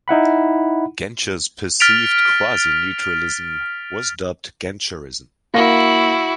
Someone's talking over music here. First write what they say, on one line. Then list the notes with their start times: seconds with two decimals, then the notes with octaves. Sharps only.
Genscher's perceived quasi-neutralism was dubbed "Genscherism".
0.08 D#4 E4 F#5 B5
1.80 F6 A6 B6 D7 F7
5.54 A#3 E4 F#4 F5 A#6